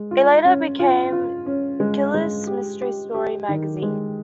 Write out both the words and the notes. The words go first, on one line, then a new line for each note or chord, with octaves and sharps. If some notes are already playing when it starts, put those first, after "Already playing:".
It later became "Killers Mystery Story Magazine".
Already playing: G#3
F4
C#4
F4
F4
C#4
G#3
G#3
G4
G4
G4
D#3
G#3